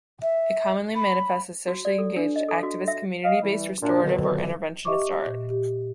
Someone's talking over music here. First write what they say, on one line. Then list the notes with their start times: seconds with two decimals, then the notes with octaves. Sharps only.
It commonly manifests as socially engaged, activist, community-based restorative or interventionist art.
0.22 E5
0.96 B5
1.68 F#4
1.85 D5
1.98 A4
2.16 D4
2.36 D#5
2.49 A4
2.63 F#4
2.88 E5
3.24 D#5 F5
3.42 E3 G3
3.81 F#2 A#2 D4
4.03 F2 B2 D3 D#3 F#3
4.85 G4 D#5 E5 C#6 D6
5.26 A#2
5.50 G4